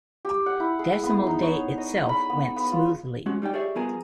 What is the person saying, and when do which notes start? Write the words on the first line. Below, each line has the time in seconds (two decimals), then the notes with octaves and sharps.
Decimal Day itself went smoothly.
0.25 G4
0.46 F#5
0.60 E4
0.79 G#4
1.03 B3
1.27 D#4
1.42 C#5
1.78 D#5
2.09 B5
2.30 B3
2.56 B3
2.72 F4
3.26 G#3 C#4 F#4
3.42 G3 D#4 D5 G5
3.53 G4 G#4 C#5 D5 E5
3.75 G2 F3 B3 G#4 A#4